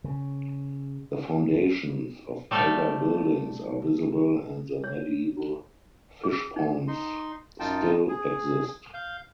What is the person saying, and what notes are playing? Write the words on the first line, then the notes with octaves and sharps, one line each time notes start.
The foundations of other buildings are visible and the medieval fishponds still exist.
C#3
G3 A3 A4 E5 F5 G5
C#5
G#4
D#4
D#4 C6
F#2 D#4 F4 G5 A5
G#4
F5 G6